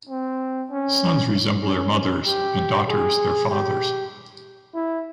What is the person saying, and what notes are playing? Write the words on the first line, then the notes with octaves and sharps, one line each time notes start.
Sons resemble their mothers, and daughters their fathers.
C4
C#4
C#4
G4
G#4
G4
E4